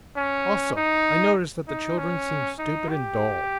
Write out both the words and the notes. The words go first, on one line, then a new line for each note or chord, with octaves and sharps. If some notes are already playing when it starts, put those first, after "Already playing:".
Also, I notice that the children seem stupid and dull.
C#4
D#4
D#4
C#4
D#4
G4